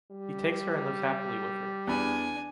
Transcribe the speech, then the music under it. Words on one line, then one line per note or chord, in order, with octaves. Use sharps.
He takes her and lives happily with her.
G3
E2 D4 G#5 B5